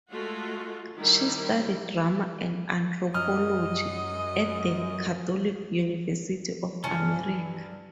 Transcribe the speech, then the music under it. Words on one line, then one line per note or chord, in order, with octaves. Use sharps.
She studied drama and anthropology at The Catholic University of America.
G#3 A3 F4 F#4
D#3 G3 E4
F#2 D#5 F6
C#2 G2 D3 E3 C#4 G#5 A5